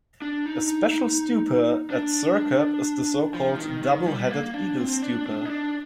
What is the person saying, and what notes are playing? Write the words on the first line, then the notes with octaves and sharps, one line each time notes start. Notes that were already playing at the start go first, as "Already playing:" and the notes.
A special Stupa at Sirkap is the so-called 'Double-Headed Eagle Stupa'.
D4
D#4
D4
F3
D#3
D#3
G3
A#3
D4
C4
D4
D4
D#4
D4